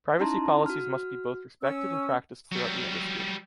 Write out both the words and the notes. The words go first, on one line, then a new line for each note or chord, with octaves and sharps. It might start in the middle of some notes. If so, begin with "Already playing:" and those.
Privacy policies must be both respected and practiced throughout the industry.
C#4 D#4 E4 A5 A#5 C6
F#4 F6
C#4 E6
F#3 G3